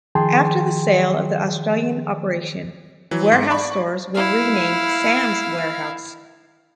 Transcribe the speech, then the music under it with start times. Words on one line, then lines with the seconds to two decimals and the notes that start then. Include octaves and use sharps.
After the sale of the Australian operation, Warehouse stores were renamed Sam's Warehouse.
0.15 D#3 F3 G#4 G5 A5 C6
3.11 E3 F#3
3.32 G#2
3.50 D5 B5 C#6
4.14 E4 F5